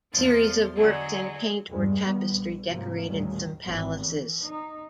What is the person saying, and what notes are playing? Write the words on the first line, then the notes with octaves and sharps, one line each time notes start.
Series of works in paint or tapestry decorated some palaces.
E2 F3 C6 A6
D3 F#3 G#3
E2 G2 G3 G#3
D#3 G3 A#3 B3
A#1
G#2 C3 F3 F#3 A#3
A1 D#2 A#2 D#3 F#3 G3
G#1
E3
D#4